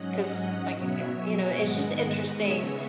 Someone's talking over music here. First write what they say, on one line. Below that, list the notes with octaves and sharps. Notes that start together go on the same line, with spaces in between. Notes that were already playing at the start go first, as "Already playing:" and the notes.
'Cause, like, again, you know, it's just interesting
Already playing: G#2 F#3 C#4 D#5 F#5
D#5 F#5
B2 F#3 B3 C#5 E5
E5 G#5
G#2 D#3 G#3 B3 D#5 F#5
D#5 F#5
C#3 G#3 B3 C#5 E5